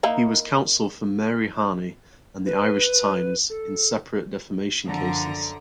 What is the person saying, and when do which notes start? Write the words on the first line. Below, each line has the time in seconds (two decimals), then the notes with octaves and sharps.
He was counsel for Mary Harney and The Irish Times in separate defamation cases.
0.03 A#3 D#4 E4
2.46 B4
3.50 A4
4.86 F#2 D3 F3 A#5